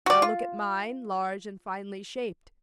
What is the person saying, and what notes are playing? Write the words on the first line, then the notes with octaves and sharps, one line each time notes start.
Now, look at mine, large and finely shaped.
F#4 D5
F4